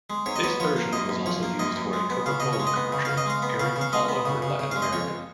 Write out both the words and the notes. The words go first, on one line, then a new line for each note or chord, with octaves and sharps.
This version was also used for a Coca-Cola commercial, airing all over Latin America.
G#3
G#2 C#5
D#5
B3 C#5
F3 C#5
A#3
F#2 D#5
F#2
F3 C#5
A#3
F#2 D#5
F#2
G#3
B3
C#3 F5
C#3 D#5
C#5
G#3
D#5
B3
C#3
C#3 F5
D#5
G#3 F5
B3
C#3 F5
C#3
F5
G#3 D#5
B3
C#3
C#3
C#3
G#3 F5
D#5
F2 C#5